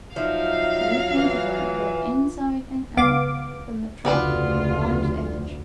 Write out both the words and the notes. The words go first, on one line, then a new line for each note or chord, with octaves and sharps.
We painted her, both inside and out, from the truck to the water's edge.
F3 F#3 D#4 E5 F5
E3
C#2 B3 F5 D6
F1 D2 C#3 B3 D4 F4 G4 B4